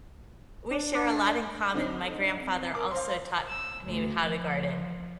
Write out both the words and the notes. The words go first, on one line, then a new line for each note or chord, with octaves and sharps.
We share a lot in common, my grandfather also taught me how to garden
D4
D4
D3 C4 D#4
C4
A#4 D6
C5 F5 C6
E6
D2
F3